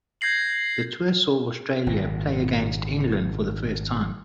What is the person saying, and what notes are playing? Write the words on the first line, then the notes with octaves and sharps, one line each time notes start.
The tour saw Australia play against England for the first time.
G6 G#6 A#6 C7 F#7
G#1 A#2